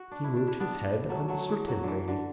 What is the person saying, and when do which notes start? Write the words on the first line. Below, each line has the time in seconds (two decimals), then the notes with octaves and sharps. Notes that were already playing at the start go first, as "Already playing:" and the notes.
He moved his head uncertainly.
Already playing: F#4
0.11 D4
0.24 E4
0.36 D4
0.48 E4
0.60 B3 D4
1.09 F#3 A3
1.28 F#3 A3
1.49 E3
1.68 F#3
1.83 D3 E3
2.08 D3